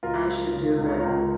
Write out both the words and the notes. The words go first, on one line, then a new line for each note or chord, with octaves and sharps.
I should do that.
C#2 F4 A#4
F3
C#3
C#2 A#4
C#5
F4 A#4
C#2